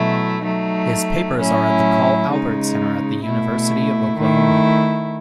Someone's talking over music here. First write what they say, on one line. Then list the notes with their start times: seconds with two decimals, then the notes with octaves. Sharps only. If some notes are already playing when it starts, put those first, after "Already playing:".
His papers are at the Carl Albert Center at the University of Oklahoma.
Already playing: B2 F#3 A3 E4
0.44 F#3 A3 D#4
1.37 A2 F#3 C#4 E4
2.30 C#3 G#3 D#4
3.24 B2 A3 E4
4.17 D#3 A3 E4